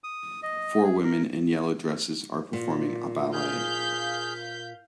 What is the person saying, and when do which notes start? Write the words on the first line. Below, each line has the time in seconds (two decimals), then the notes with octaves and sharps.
Four women in yellow dresses are performing a ballet.
0.04 D#6
0.43 D#5
0.84 G#4
1.04 A#4
2.53 A#2
3.33 G#4 F5 F6 G6 B6